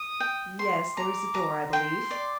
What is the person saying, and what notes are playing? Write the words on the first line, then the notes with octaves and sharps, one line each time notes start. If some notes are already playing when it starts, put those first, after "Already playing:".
"Yes, there is a door, I believe."
Already playing: D#6
G5
C6
A#5 D6
A#5
G5 C6
D5